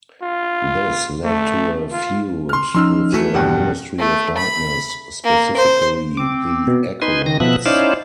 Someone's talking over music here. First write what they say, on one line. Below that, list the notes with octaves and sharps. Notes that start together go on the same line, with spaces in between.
This led to a feud with the Ministry of Darkness, specifically The Acolytes.
F4
A3
F4
C6 F6
F3 C#4 D#4 C6 E6 F6
E3 A3 F#4
E2 G2 B2 G4 G5
A3
B5
A#3
C5
C4 D6
B2
D#4 B4 G#5 C6
D#3 A#6
B2 F3 B3 E5 F#6
C#4 D#4 E4 C5 D5 F5